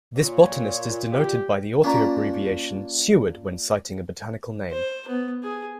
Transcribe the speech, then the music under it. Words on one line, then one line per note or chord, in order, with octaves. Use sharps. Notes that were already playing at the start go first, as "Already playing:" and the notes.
This botanist is denoted by the author abbreviation Seward when citing a botanical name.
A#2 C#5
G4
A#3 C#4 D4 F4 A#5
C5
B3
G#4